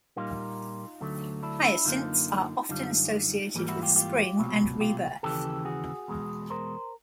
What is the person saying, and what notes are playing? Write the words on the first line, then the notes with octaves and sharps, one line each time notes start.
Hyacinths are often associated with spring and rebirth.
A#2 G3 A#3 D#4 F4
D2 D3 F#3 A3
D4 E4
D4 E4
F#2 D3 F#3 A#3 D#4 F4
F#2 D3 G3 D#4 F4
G#2 E3 G3 A#3
E4 F#4
F4 G4
F4 G4
C2 B2 F#3
F4 G4
D#2 C#3 E3 G4 A4
F#4 G#4
E2 B2 G#3
A#4 C5